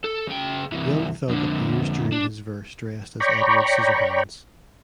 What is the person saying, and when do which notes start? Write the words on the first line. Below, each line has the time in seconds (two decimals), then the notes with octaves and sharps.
Young Thug appears during his verse dressed as "Edward Scissorhands".
0.05 A4
0.28 C#3 G5
0.72 C2 E3
1.29 F2 D3
2.12 D4
3.20 C#5 D5 G5 A#5 B5 C#6